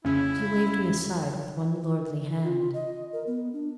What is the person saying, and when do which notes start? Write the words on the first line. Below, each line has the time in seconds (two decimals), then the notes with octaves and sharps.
But he waved me aside, with one lordly hand.
0.05 F2 C#3 C#4 E4
2.44 F4
2.74 D#5
3.13 A#4
3.27 B3
3.53 D4